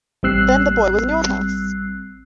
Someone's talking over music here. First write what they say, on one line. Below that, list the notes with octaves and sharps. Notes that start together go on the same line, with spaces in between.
Then the boy was in your house!
A1 G3 C4 E6 F#6 C7